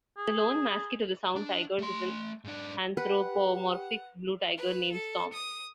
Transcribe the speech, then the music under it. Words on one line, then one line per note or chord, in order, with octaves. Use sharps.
The lone mascot of the Sound Tigers is an anthropomorphic blue tiger named Storm.
G#4
D4
A3 C6
G#2 D4
G4 B4 F#5
B4
A4
D#6